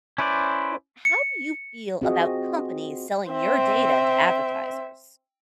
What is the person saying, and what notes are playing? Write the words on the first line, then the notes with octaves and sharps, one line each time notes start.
So, how do you feel about companies selling your data to advertisers?
C#4 E4 B4 C5 D5
C#7
C4 F4 F#4 G#4 D#5
C4 E5